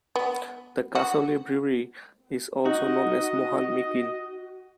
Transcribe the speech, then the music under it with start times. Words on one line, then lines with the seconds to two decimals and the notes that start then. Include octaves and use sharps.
The Kasauli brewery is also known as Mohan Meakin.
0.16 B3
0.95 F#4
2.66 D#4 F#4 D#5